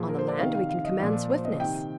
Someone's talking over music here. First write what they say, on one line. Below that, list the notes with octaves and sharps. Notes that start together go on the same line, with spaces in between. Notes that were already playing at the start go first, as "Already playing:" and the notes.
On the land we can command swiftness.
Already playing: A#2 F3 G#4
A#4
C5
D5
C3 D#3 F5
F5
F5
D#5
A#2 F3 D5
C5
D#5
C3 D#3 G5